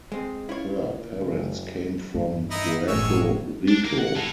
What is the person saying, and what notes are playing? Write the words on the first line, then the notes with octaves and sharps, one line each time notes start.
Her parents came from Puerto Rico.
G#3 C4
C#4 E4 F4 C#5
A#2
F#1
E2 G2
D#4 E4 D#5
F#1 E2 A2 G#3 C#5 E6
D4
A#3
F#5
A2